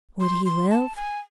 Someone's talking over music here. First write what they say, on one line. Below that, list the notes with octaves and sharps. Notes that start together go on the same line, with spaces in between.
Would he live?
C6
C6
A5
G#5